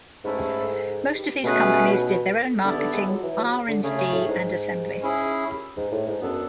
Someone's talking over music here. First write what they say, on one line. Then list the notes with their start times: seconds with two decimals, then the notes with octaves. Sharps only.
Most of these companies did their own marketing, R and D and assembly.
0.24 G#2 A3 C#4 E4 A4
1.44 B2 A3 C#4 G#4 B4
2.64 D3 B3 E4 A4 D5
2.78 D3
2.93 G#3
3.08 F#3
3.23 E3
3.38 F#3
3.68 D3
3.83 C#3 A3 C#4 G#4 C#5
3.98 C#3
4.13 A2
4.28 G#2
5.02 C#4 E4 G#4
5.77 G#2
5.92 A2
6.07 G#2
6.21 F#2 B3 D4 A4